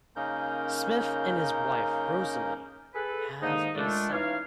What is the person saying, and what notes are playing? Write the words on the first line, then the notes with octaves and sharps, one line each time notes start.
Smith and his wife Rosalynn have a son.
C#3 A#3 C#4 D#4 A#4 G6
G#4 A4 B4
G#2 D3 D#3 A#3 D#4
A#2 G#3 A3 D4
E3 C#4 D#4 C#5 F5